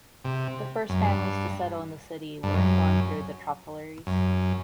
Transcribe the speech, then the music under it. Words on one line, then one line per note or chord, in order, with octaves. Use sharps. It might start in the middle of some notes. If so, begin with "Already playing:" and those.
The first families to settle in the city were formed through the Tropeiros.
C3
F#2
G2
G2
F#2
F#2